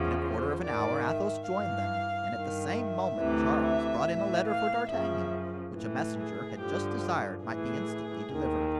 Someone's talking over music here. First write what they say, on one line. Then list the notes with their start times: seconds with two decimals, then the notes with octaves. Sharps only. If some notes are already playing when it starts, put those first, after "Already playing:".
In a quarter of an hour Athos joined them and at the same moment Charles brought in a letter for D'Artagnan, which a messenger had just desired might be instantly delivered.
Already playing: E2 C#3 F3
0.20 C5
0.63 G#2 D#3 D5
1.06 E5
1.49 G2 E3 F5
2.33 G2 D#3
2.76 E5
3.19 D2 C3 E3
3.62 E5
4.04 A2 E3
4.47 F5
4.90 F#2 C#3 F3 E5
5.74 A2 E3
6.18 G#4
6.60 G2 D3 F3 G4
7.45 A2 E3 G#4
8.31 D#2 D#3